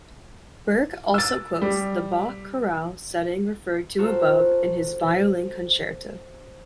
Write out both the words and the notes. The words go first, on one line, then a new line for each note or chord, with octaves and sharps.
Berg also quotes the Bach chorale setting referred to above in his Violin Concerto.
E6 A6
G3
F4 F#4 A4 A#4 C5